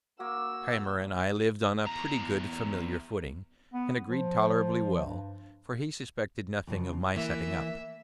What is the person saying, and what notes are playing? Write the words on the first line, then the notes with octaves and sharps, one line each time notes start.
Keimer and I liv'd on a pretty good familiar footing, and agreed tolerably well, for he suspected nothing of my setting up.
A#3 F#4 E6
E2 A#5
B3
F3
G2
F2 C#3 F3
E3 A#3 E5